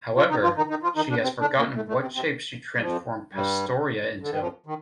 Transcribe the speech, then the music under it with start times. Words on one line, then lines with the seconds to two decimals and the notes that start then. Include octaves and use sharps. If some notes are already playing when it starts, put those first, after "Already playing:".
However, she has forgotten what shape she transformed Pastoria into.
0.17 F3 F4
0.30 D#3 D#4
0.43 F3 F4
0.57 D#3 D#4
0.70 D#3 D#4
0.83 F3 F4
0.96 D#3 D#4
1.10 D3 D4
1.23 C3 C4
1.40 D3 D4
1.58 A#2 A#3
1.76 A2 A3
1.88 A2 A3
2.02 C3 C4
2.15 C3 C4
2.77 G3
2.81 F2 F3
3.34 G2 G3
4.22 D3
4.31 D#3
4.40 F2 F3
4.66 D#3